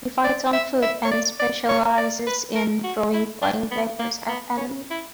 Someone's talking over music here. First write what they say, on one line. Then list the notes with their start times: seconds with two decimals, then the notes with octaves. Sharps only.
He fights on foot and specialises in throwing flying daggers at enemies.
0.24 D5
0.53 E5
0.82 E5
1.05 C#5
1.11 D5
1.40 D5
1.69 C#5
1.98 D5
2.27 B4
2.55 A#4
2.84 F#4
3.13 E4
3.42 D4
3.71 B3
3.99 A#3
4.28 B3
4.57 C#4
4.90 E4